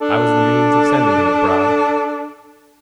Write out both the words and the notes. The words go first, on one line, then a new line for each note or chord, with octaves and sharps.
I was the means of sending him abroad.
D4 A4